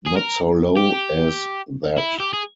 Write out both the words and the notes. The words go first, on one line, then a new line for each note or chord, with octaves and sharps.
Not so low as that.
G#4
A#4
G4
E4
G4
G#4